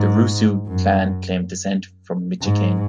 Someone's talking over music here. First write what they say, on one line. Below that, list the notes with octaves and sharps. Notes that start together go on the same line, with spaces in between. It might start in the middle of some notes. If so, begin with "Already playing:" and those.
The Rusu clan claimed descent from Michikane.
Already playing: G#2
F#2
G#2